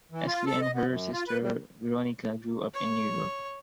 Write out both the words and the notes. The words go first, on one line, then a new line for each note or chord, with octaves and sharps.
Estelle and her sister, Veronica, grew up in New York.
E3
F4
A4
D#5
B3
F#2
F4
B4
G3
C#5